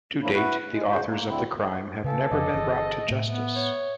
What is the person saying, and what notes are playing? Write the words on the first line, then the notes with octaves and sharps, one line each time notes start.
To date, the authors of the crime have never been brought to justice.
F3 F#3 A#3 D4 E4
E4 F#4 B4
G#3
C#3 F#4 C5
A#3
D2 D3 C4 E4
C#3 A4 B4 F5 G#5
F2 C#3 F3 D#5 D6
G1 E3 G#4 C5
A2 A3 E5
B3
C#5